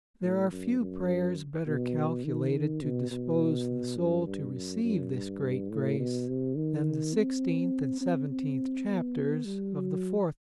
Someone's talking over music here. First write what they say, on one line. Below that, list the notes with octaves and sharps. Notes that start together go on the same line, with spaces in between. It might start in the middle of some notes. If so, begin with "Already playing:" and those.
There are few prayers better calculated to dispose the soul to receive this great grace than the XVI. and XVII. chapters of the IVth.
A2
F#2
F#2
B2
D#3
B2
B2
F#2
G2
F#2
F#2
G2
A2
B2
C3
D#3
C4
C4
C4
B3
G3
F#3